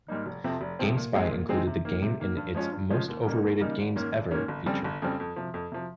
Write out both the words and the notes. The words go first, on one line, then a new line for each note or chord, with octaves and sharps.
GameSpy included the game in its "Most Overrated Games Ever" feature.
G#2 G3 A#3 D#4
F1
F2 C3 F3 C4
F1
F2 C3 F3 C4
A#2
G#3 C4 D#4 G#4
A#2
G#3 C4 D#4 G#4
C3
D#3 A#3
C3
D#3 A#3
G2
F3 G#3 C#4 F4
G2
F3 G#3 C#4 F4
D#2
C#3 G3 A#3 D#4
D#2
C#3 G3 A#3 D#4
G#1
G#2 D#3 A#3 C#4
G#1
G#2 D#3 A#3 C#4
G1
F2 C#3 G3 C4
G1
F2 C#3 G3 C4
F2
C3 F3
F2
C3 F3